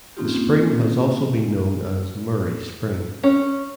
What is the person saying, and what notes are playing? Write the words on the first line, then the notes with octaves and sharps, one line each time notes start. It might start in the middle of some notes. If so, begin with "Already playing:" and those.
The spring has also been known as Murray Spring.
A#3 C4 C#4 D#4 F4 G4
C#4